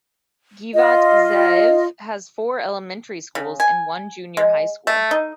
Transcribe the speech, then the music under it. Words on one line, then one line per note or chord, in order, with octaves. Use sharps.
Giv'at Ze'ev has four elementary schools and one junior high school.
F4 D#5
C#3
G#5
G#3
A3
D#4